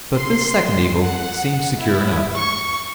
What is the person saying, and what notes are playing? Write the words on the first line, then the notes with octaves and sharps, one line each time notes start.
But this second eagle seemed secure enough.
C6
F#5
E4
C#6